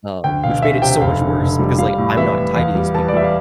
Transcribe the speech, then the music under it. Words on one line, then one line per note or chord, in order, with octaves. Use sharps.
um, which made it so much worse because, like, I'm not tied to these people
D2 G5
E1 F5
D2 E5
C3 G5
F1 F5
D3
F1
G3
G3 F5
A2
E3 E5
A2
E2 F5
G3
E3 A5
D5
G3 E5
F5